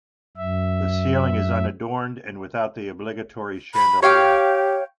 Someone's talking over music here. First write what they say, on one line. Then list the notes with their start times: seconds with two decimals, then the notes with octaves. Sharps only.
The ceiling is unadorned and without the "obligatory" chandelier.
0.37 F#2 E5
3.75 B5
4.03 G4 C#5 F5 G5